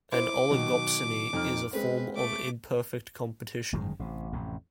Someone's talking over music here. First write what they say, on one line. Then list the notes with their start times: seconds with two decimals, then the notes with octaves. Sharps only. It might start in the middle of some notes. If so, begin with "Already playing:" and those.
An oligopsony is a form of imperfect competition.
0.12 E4 C5 D6
0.51 B2 D#3 F#3
1.33 F2 D#4 F6
1.73 G#3 C4 B4
2.15 A3 D6
3.72 G1 F#2 D#3 G#3
3.99 A1 C3
4.32 A1 F2 C3